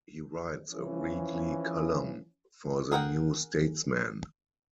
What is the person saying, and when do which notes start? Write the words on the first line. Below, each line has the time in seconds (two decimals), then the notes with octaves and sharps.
He writes a weekly column for the "New Statesman".
0.71 E3 F3 C#4
2.92 G#4 A#4 F#5 G5